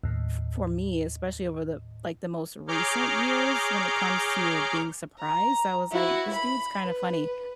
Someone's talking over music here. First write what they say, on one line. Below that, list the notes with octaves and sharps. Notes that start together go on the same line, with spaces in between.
f for me, especially over the like, the most recent years when it comes to being surprised, I was like, "This dude's kinda funny."
D#2 A2
G#4 C#5 A#5 D6 F6 G6
A#5
E4 F#4
B5
B4